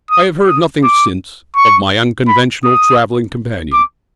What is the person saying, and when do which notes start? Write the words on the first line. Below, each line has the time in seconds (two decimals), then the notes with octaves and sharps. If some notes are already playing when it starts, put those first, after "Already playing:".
I have heard nothing since of my unconventional travelling companion.
0.10 D#6
0.47 D#6
0.83 D6
1.56 C#6
2.27 B5
2.65 D#6
3.72 D6